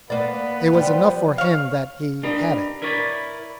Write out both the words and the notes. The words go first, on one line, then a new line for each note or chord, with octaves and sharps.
It was enough for him that he had it.
A#3 B3 B4 D5
F3 G3
C#5 F5
D4 G4 A#4 B4 D#5
E4 A#4 B4 C#5 D5